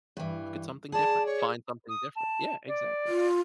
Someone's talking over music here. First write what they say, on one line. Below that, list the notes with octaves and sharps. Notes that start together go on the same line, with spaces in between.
look at something different, find something different. Yeah, exactly.
G2 E3
G#4 D5 A5
C#5
D#6
A5
D5
F4